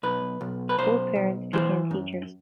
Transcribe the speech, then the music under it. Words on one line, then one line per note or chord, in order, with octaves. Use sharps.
Both parents became teachers.
B1 B4
B1
B4
B1 C5
B1
E3 C5
F#2